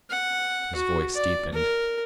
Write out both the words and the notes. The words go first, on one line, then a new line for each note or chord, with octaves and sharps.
His voice deepened.
F#5
F#4
D5
A#4